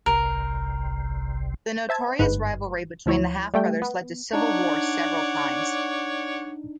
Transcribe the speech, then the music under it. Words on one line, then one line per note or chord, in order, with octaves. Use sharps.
The notorious rivalry between the half brothers led to civil war several times.
G1 C2 C3 A#4
C5 E5 A5 G#6
G1 G#2 B4
D2 F3 E4 C#5
G3 A3 G5
B3
D4 D#4 C#5 D5 F#5